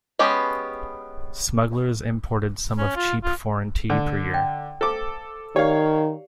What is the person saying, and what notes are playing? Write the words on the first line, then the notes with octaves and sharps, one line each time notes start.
Smugglers imported some of cheap foreign tea per year.
G#3 B3 C#4 G4
C#4
F4
F4
D3
G5
A4 C5 F5 D6
D#3 G4 C#5 D5 F5